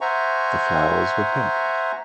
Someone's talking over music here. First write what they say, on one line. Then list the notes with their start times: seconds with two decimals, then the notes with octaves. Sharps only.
The flowers were pink.
0.01 C5 E5 F#5 G#5 A#5 C#6